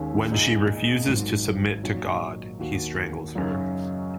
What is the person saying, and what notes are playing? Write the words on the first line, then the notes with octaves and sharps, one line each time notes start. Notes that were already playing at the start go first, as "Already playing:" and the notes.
When she refuses to submit to God, he strangles her.
Already playing: D#2 D#3 G#3 C#4
A#2 G#3 D#4
G#1 G#2 D#3 F#3
A#2 F#3 D#4 F#4
D#2 D#3 A#3 F#4
F#2 C#3 F#3 D#4